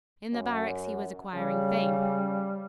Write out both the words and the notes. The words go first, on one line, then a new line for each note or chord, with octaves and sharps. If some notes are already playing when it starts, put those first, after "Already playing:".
In the barracks he was acquiring fame.
F#2
C#3 G3